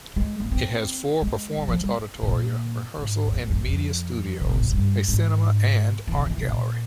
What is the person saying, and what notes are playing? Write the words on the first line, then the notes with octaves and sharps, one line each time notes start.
It has four performance auditoria, rehearsal and media studios, a cinema and art gallery.
G#3
A#3
C4
G#3
G3
F3
G3
C3
A#2
G#2
E2
F2
E2
F2
E2
F2
C#3
C3
A#2
G#2
G2
G#2
E3
C#3
E3
C3
A#2